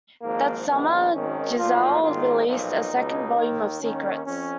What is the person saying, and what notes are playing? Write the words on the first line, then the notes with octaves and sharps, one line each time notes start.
That summer, Geisel released a second volume of "Secrets".
G#1 G#2 F3 A#3
A#1 G#2 D#3 B3
G#1 F#2 D#3 C#4
B1 A#2 F3 F4
G#1 G#2 D#3 F4
B1 A#2 F3 D#4
C#2 B2
D#2 D#3
D#2 D#3 C#4
F2 C#4